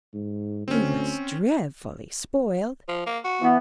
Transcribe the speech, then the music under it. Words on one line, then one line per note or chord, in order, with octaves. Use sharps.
She was dreadfully spoiled.
G#2
D2 C4 C#4
F3
A#3
F#4
E3 B3